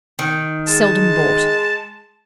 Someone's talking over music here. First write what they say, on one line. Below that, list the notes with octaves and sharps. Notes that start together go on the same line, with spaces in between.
Seldom bought.
D#3
G#3 A5